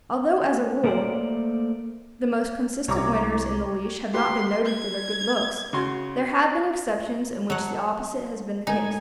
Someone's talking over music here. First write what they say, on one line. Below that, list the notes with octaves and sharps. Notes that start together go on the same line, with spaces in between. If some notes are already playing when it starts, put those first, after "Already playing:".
Although, as a rule, the most consistent winners in the leash have not been noted for their good looks, there have been exceptions in which the opposite has been the case.
A3 A#3 A#4 C5 D5
C2 C#5 A#5 D6
G4 B4 C6
G#6
C#3 F#4 C6
F#3 D#5 F#5 A5
A2 G#3 D#4 A#4 G#5